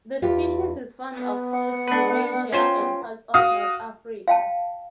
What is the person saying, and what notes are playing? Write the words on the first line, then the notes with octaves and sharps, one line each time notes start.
This species is found across Eurasia and parts of North Africa.
E2 F4 G4
B3
F#5
D4 B4
C#4 F4 C5 G5
F#4 F5 D#6
F5 G5 A5